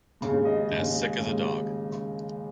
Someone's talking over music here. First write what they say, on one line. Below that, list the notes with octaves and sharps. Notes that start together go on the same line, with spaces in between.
As sick as a dog.
D#2 C#3 G#3
D#5
D#2 C#3 G#3
D#2 C#3 G#3